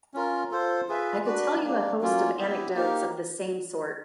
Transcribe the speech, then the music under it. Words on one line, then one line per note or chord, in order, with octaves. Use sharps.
I could tell you a host of anecdotes of the same sort.
C#4 F4 A#4
F4 A4 C5
F4 G#4 B4 E5
D4 F#4 B4 D5
G3 A#3 D4
F#3 A#3 C#4 F4
B3 E4 G4
A#3 D#4 G4 A#4